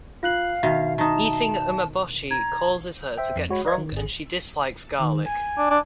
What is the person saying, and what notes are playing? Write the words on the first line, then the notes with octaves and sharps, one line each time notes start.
Eating umeboshi causes her to get drunk and she dislikes garlic.
F4 F5 F#6 F#7
B2 D#3 F#4 E5
D#3 D#4 A5
A#5 G#6
C5 E5 G5
F2
G#3 F#4 C#5 B5
B4 D5 D#5 F5 G#6
D#3
G#1 G#4
D#3
G#5
D4
D4